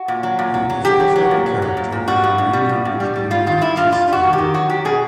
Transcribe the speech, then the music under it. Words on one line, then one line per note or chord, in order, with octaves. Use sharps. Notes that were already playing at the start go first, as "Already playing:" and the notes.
He is also the coach of the Iranian national youth chess team.
Already playing: F#4
A#2
F#3
A#2
F#3
F#3
F#3 G4
F#3
F#3
A#2
F#3
F#3
A#2
A#2
G3 F#4
G2
G2
G3
G2
G2
G3
G3
G3 F4
D#3 F4
G2 E4
G2 F4
G2 F4
G3 F#4
D#3
G4
D#3
F#3 F#4
F#3 G4
B2 G#4